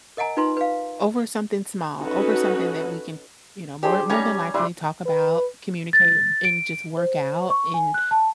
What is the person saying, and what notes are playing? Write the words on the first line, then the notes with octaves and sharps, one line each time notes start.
Over something small, over something that we can, you know, more more than likely talk about, communicate, and just work out, and
A#4 D#5 F#5 G#5 A#5
D#4 F4 B4 A#5 C6
B4 F5
C#4 D#4 F#4 A4 B4
D4 G4 G#4 C5 D5
G3 C#4 D#4 G4 G#5
G2 C#3 G3 E4 C6
B4
A6
D7
C5
C#6
G#5
F#6
A5